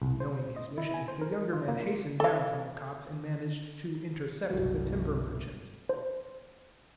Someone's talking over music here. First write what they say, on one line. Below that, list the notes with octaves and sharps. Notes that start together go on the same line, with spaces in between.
Knowing his mission, the younger man hastened down from the copse and managed to intercept the timber-merchant.
C2
C5
D#5
E4
G#5
C5
A#4
F4
A#3
A4 F5
G1 C2 F#3 G4
C5